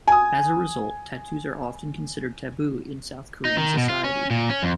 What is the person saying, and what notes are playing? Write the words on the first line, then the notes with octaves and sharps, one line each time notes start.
As a result, tattoos are often considered taboo in South Korean society.
G#5 D#6
D#4
D#3
B2
F4
C#4
A#2
C#4
F2